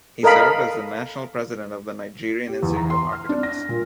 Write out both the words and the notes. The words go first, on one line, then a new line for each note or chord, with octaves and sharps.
He served as the National President of the Nigerian Institute of Architects.
A4 A#4 D#5 F5 B5
G4
E2
A#5
C6
F6
D4
A#6
A#2